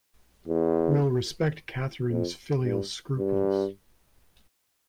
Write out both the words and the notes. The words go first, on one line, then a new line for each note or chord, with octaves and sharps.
We’ll respect Catherine’s filial scruples.
E2
F2
G2
G2